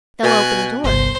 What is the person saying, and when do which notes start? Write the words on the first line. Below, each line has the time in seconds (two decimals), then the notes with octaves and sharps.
"They'll open the door."
0.23 B2 G#5 F#6
0.84 G1 C2 C5